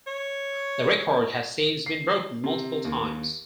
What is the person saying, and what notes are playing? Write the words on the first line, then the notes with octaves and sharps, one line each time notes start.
The record has since been broken multiple times.
C#5
C7
C3
D#2